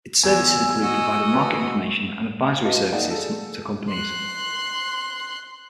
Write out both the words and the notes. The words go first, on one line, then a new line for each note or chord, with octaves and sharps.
Its services include providing market information and advisory services to companies.
E2 B2 G#5 E6 G#6
F#4 D#5
B3 A5
F#4 B4 D#5 F5 A5
A#3 D#4 G#4 D5 F5 F#5
G#4 A4
C6 F#6